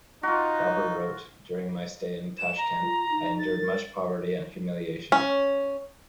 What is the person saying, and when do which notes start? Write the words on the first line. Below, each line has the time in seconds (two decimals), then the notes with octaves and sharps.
Babur wrote, During my stay in Tashkent, I endured much poverty and humiliation.
0.23 D#4 F4 F#4
2.38 E7
2.57 A#5
2.82 F4
3.10 D#4
3.39 A6
3.60 A#4
5.12 C#4